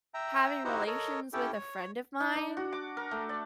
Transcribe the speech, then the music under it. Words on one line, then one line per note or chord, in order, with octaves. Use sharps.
having relations with a friend of mine
E5 G5 A#5
D#4 E4 F#4 G4 C5 A#5
A4 A#4 C#5 D#5
C#4 E4 G4 A4 G5
C#5
D#4
D4
F#4
D6
A#4
A3
D5